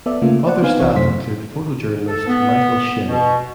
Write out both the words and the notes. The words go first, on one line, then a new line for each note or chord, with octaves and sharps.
Other staff include photojournalist Michael Schennum.
B3 A4 D5 E5
C#3 A3 A#3 F4
C5 D5 F#5
B3 C4 D#4 B4 F5 G#5
B1 E3 C4 C#5
F#2 C3 A3 C5 B6
A4
B3
B2